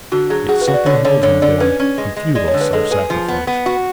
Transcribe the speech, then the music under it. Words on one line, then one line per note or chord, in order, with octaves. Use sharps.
Yet something held him there in futile self-sacrifice.
D3 F#4
F#3 G#4
F#4 G#4
B4
F#4
D5
D3 C#5
D3 C#5
D3 C#5
D3 D5
C#4 B4
C#4
G#3
G#3
G#3 D5
C#5
D3
B4
G#3 A4
G#4 B4
F3
B3
B3
F#4